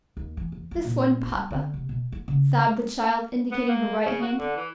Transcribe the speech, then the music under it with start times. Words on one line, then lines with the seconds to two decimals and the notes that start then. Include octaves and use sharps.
"This one, papa," sobbed the child, indicating her right hand.
0.17 D#2
0.37 E3
0.52 E2
0.71 F#3
0.85 A#2
1.31 G3
1.50 D3
1.74 C3
1.89 B2
2.12 E4
2.28 C#3
3.52 B3
3.69 A#3
4.06 C#3
4.22 F#4
4.38 D3
4.57 E3